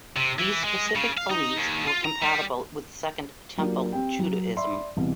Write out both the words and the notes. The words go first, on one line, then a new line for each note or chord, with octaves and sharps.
These specific beliefs were compatible with Second Temple Judaism.
C3
E3
G#3
C#3
F5
D#4
D#2
F4
A#5
G3
F#3 A#3 D4 F4 G4
C4 G4 G5
F#3
D5 E5 B5 C6
C2 B2 E3